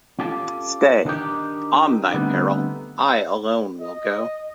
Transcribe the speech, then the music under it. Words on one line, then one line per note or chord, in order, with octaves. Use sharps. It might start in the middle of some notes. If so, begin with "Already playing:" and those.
Stay, on thy peril: I alone will go.
C#4 F4 G4 A4 A5
D#3 D4 D#4 G4
D3 G3 A3 B3 C4 D#4
D#5